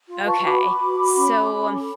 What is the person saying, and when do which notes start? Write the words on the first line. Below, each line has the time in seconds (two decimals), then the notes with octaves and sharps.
Okay. So, um
0.09 F4
0.26 B4 A5 C#6
0.44 F#4 B5 D6
0.63 B4
0.80 F#4
0.99 F#4
1.16 C#4
1.34 C#4
1.52 C#4
1.70 A4